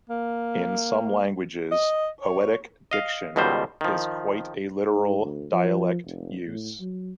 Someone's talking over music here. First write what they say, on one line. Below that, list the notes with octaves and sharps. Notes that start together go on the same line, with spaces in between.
In some languages, "poetic diction" is quite a literal dialect use.
A#3
D#5
C#5
D#5 F5
C#2 B2 D#3 G3 C5
D#3 F3
G#2
D2
F3
F1
A2
F#3